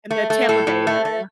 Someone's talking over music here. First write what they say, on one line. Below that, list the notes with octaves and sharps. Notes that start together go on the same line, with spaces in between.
and the Tampa Bay area.
A3
A3
A2 A4
A2
A3
A3